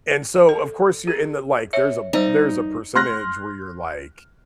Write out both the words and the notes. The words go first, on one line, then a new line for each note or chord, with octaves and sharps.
and so, of course, you're in the like, there's a there's a percentage where you're like,
A4
G#4
C#5 E5
G3 D#4 C5 D5
C6 F6 F#6 A#6